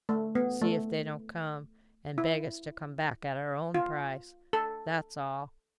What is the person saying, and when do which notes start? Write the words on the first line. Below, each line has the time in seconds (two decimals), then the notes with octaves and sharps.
See if they don't come, and beg us to come back at our own price. That's all.
0.09 A3
0.35 B3
0.62 A3
2.18 E4
3.74 F4
4.53 A4